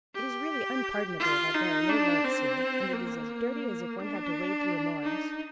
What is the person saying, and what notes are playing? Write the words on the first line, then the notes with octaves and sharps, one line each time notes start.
"It is really unpardonable that there are no lamps here; and it is as dirty as if one had to wade through a morass."
G4
F4
D#4
D4
C4
A#3
D4
D#4